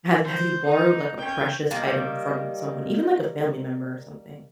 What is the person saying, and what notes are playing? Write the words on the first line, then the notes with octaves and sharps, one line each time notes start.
Have have you borrowed, like, a precious item from someone, even, like, a family member or something?
C5
D#4
C#4 G5
D#3 G3 A#3